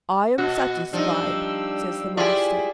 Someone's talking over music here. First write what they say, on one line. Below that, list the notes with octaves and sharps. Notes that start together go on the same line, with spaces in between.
"I am satisfied," says the master.
B2 F#4
F3 G3 D4 D#4 E6
E4 F4 G4 G#4 D5